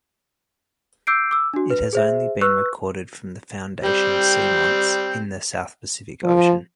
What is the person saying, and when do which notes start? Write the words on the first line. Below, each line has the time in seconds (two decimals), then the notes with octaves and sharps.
It has only been recorded from the Foundation Seamounts in the South Pacific Ocean.
1.07 D6 E6 G6 C7 D7
1.31 D6 E6
1.54 D4 F#4
1.70 B4
1.93 G#4 C5 E5
2.41 B4 C#6 E6 F#6
3.84 G3 C4
6.24 F3